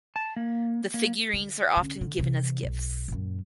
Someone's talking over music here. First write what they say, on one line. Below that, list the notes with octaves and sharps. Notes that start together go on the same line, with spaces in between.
The figurines are often given as gifts.
A5
A#3
A#3
D3
D3 C#4
D3
C3 E3
B1
F#2 A#2